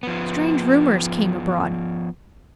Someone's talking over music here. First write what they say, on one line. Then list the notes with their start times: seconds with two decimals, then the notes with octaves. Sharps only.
Strange rumors came abroad.
0.03 F3 B3